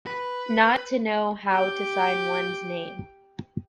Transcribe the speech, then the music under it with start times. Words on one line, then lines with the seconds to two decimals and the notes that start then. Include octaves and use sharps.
Not to know how to sign one's name.
0.07 B4
1.48 G4 G5